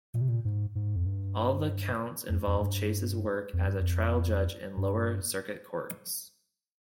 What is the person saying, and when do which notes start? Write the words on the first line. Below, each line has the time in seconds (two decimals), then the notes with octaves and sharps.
All the counts involved Chase's work as a trial judge in lower circuit courts.
0.14 A#2
0.21 C3
0.29 A#2
0.45 G#2
0.75 G#2
0.96 F2
1.06 G2
2.30 F2
2.47 F2
2.60 G2
3.53 F2
3.67 G2
3.80 F2
4.77 G2